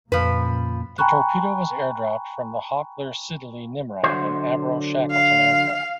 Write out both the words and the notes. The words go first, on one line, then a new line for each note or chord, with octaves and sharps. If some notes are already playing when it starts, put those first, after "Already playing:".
The torpedo was air dropped from the Hawker-Siddeley Nimrod and Avro Shackleton aircraft.
F2 A#2 C#3 F3 A#3 B4
G5 G#5 A#5 B5 C#6 F#6
D3 F#3 C5
F5